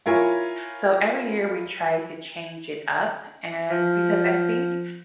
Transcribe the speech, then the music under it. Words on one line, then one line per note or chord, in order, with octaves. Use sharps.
So, every year we try to change it up. And because I think
E4 F4 A#4 C#5 G#5
F3